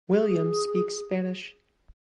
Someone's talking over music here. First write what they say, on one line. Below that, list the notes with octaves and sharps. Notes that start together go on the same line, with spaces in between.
Williams speaks Spanish.
G#4